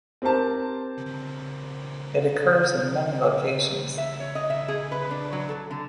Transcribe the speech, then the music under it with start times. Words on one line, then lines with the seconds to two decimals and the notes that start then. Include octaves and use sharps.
It occurs in many locations.
0.22 C4 G4 A#4 C5 A5
3.98 E5
4.20 C#5
4.35 D#5
4.50 E5
4.68 G#4
4.92 B4
5.11 D4
5.33 F#3
5.49 A4
5.71 D3